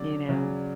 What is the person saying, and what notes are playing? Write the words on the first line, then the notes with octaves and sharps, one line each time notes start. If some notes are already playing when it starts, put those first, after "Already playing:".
You know?
Already playing: C#3 F#3 D5
C#3 F#3